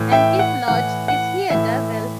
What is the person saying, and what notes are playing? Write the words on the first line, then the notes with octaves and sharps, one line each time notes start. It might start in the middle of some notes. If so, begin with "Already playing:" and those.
And if not, is he a devil?
Already playing: A2 E3
E5 G5
F#5
A2 E3 F#5
F#5
A2 E3 E5